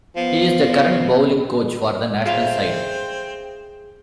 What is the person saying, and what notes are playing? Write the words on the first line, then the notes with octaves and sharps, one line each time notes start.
He is the current bowling coach for the national side.
F3 B3
C4 F4 G#4 C5 E5 F5